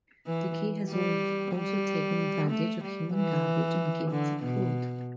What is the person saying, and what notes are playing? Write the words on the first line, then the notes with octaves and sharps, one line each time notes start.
The kea has also taken advantage of human garbage and "gifts" of food.
E3
G3
G3
A3
G3
E3
D3
B2